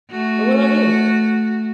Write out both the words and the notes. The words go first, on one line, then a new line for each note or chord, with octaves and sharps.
but what about you?
A3 F#4